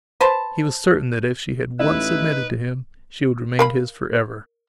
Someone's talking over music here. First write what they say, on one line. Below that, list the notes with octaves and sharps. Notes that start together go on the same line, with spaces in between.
He was certain that if she had once submitted to him she would remain his for ever.
B4 C5 A5
A1 D#4 E4 B4
A#4 F5 B5